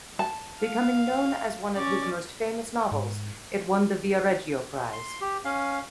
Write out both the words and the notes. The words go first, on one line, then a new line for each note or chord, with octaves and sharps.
Becoming known as one of his most famous novels, it won the Viareggio Prize.
A5
F5
C#4 D5
G#2
C6
G4
C#4 F5